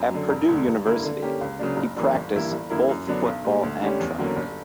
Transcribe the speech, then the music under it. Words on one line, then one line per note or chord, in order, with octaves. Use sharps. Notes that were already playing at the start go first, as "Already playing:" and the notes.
At Purdue University he practice both football and track.
Already playing: F#2
D3 F#3
E1
D2 D3
G2
D3 A#3 E4
D3
A#3 C#4 G4
C#2
C#3 F#3 A#3 D4
F#1
F#2 E3 A#3 D4
G1
G2 E3 A#3 E4
G1
F#2 D3 A#3 E4
F#2
D3 F#3 B3 D4
B1
A#2 G3
D2
D3 G3 C#4 G4
E2
D3 F#3 A#3 C#4
G1